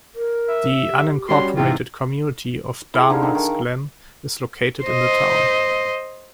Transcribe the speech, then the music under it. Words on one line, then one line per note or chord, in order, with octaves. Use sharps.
The unincorporated community of Durwards Glen is located in the town.
A#4
E5
G4
G3 C#4 F#4 C6
G#2 C3 E3 F4 G5
E4 G#4
D3 D#4 F5
D#3 D4
D#3
C5 D#5